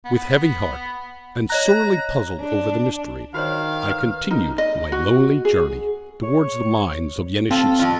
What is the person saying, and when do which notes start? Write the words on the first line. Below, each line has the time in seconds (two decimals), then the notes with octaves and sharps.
With heavy heart, and sorely puzzled over the mystery, I continued my lonely journey towards the mines of Yeniseisk.
0.05 B3
1.50 C#5 D#5 A#5 F#6
2.40 D4
3.34 D#3 F#4 C5 C#5 F5
3.90 B4
4.31 D#4
4.58 D#5
4.92 F#4
5.45 G#4
6.23 C#5
7.51 C4 F4 A4
7.79 F2 F4